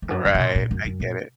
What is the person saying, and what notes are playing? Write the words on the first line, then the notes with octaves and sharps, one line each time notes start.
Right, I get it.
F2
F#2
F#2
C3
A#2
A#2
F#2
F#2
A#2